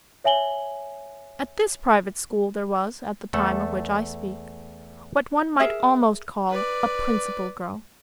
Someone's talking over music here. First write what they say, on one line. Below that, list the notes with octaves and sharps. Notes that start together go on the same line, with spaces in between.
At this private school, there was, at the time of which I speak, what one might almost call a "principal girl."
C#5 E5 G#5 F#7 G7
E2 A3 A4 F#5
G#4 A#4 E5
B4 D5